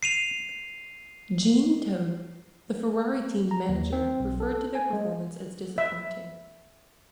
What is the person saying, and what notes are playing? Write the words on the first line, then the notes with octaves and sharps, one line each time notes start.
Jean Todt, the Ferrari team's manager, referred to their performance as "disappointing".
C7 D#7 F7
A#5
D#2
C4
B1
A4
G#5
G#3
E5